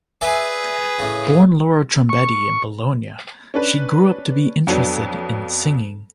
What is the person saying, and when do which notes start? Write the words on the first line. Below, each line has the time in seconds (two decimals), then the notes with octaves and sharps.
Born Laura Trombetti in Bologna, she grew up to be interested in singing.
0.21 G#4 B4 D5 E5 G#5
0.99 A2 C#3
2.09 C#6
3.54 C#4 D4 B4
4.67 F2 F#3 B3 D4